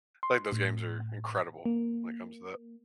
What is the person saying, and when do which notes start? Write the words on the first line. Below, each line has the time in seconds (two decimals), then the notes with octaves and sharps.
like, those games are incredible when it comes to that.
0.23 C6
0.52 A2
1.66 A#3